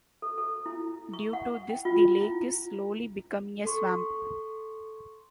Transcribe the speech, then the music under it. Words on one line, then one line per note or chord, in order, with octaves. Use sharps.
Due to this, the lake is slowly becoming a swamp.
A4
A4
E4
C#6
F#5
G5
F4
E4
A4 C6 C#6